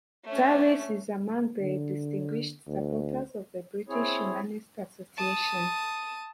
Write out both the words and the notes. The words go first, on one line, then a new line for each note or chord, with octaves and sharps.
Tallis is among the Distinguished Supporters of the British Humanist Association.
A3 C#4
D3
D2
C4 E4 G#4 C#5
A5 D#6